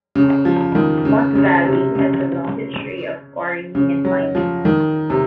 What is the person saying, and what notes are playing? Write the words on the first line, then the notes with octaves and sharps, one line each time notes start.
Moss Valley has a long history of quarrying and mining.
C#3
F3
D#3
C#3
C#3
C3
C#3
C#3
F#3
F3
D#3
C3